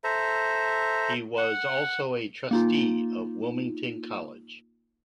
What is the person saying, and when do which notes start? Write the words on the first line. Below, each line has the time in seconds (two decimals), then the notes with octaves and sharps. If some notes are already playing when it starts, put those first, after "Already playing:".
He was also a trustee of Wilmington College.
0.04 A4 C5 E5 A#5
1.38 F#5
2.51 A#3 D#4 F4